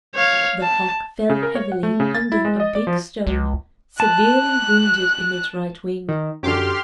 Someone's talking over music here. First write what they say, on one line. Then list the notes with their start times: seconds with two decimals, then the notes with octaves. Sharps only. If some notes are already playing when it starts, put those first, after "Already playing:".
The hawk fell heavily under a big stone, severely wounded in its right wing.
0.15 C#5 F5
0.62 A5
1.30 C#3
1.43 A#4
1.55 C#5
1.72 F#5
1.83 A3
2.00 C#3
2.15 A6
2.32 E4
2.45 G#3
2.60 D#5
2.75 D5
2.87 F3
3.27 C#2
4.00 A5 F#6
6.09 D#3
6.43 F#2 D3 C#4 G4 C6 D6 F6